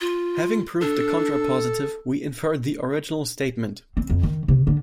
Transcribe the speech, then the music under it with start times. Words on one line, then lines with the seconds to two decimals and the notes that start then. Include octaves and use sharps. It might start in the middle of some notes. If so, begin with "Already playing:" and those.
Having proved the contrapositive, we infer the original statement.
0.01 F4
0.81 D4 A4
3.97 C4
4.10 F2
4.23 D#3
4.48 C3
4.67 D3